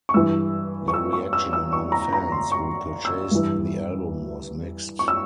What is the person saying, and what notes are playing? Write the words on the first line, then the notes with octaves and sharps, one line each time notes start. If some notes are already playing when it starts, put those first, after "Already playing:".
The reaction among fans who purchased the album was mixed.
C#6
G2 E3 E6
C#6
E6
C#6
E6
E6
C#6
A#5
A#5
C6
C#6
E6
G2 E3
C#6
E6